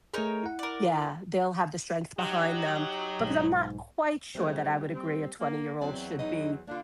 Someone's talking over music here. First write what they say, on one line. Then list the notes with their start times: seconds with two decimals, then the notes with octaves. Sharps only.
yeah, they'll have the strength behind them because I'm not quite sure that I would agree a twenty-year-old should be
0.14 A3 D#4 G#4 A#4 C#5
0.43 E4 F#5
0.59 A#4 D5
2.19 F#3 D#4 G4
3.20 B1 G#2
4.35 C#3 G3 A3 A#3 C4
4.93 C4
5.39 A#3
5.81 E2 F#3 C4 D5 E5
6.19 D#4 B4 D#5
6.67 D3 A#3 D4 E4 F4